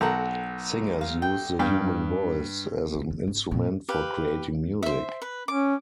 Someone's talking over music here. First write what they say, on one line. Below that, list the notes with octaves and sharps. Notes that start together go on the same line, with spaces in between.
Singers use the human voice as an instrument for creating music.
B1 A4 A#4 F#5
F5
G5
G2 D5 F5 G5
D2
G2
G#1
A#2
G4 B4 F5
C5 E5
B4
C#4 D6